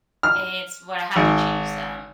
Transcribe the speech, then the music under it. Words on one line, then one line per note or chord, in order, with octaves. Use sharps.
it's well, I have to choose, um,
F6
G#1